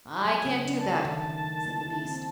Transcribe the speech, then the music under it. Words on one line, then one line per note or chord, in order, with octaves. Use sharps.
"I can't do that," said the beast.
F#3 G#5
C#3
D4
A5
A3
D#3
D#3
D#3
A#3
E4
C4